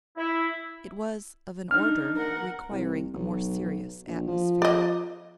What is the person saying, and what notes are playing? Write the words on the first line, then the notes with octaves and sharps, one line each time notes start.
It was of an order requiring a more serious atmosphere.
E4
D4 D#4 F6
A#4 F#5
C2
B1
A#1
F3
D5 D#5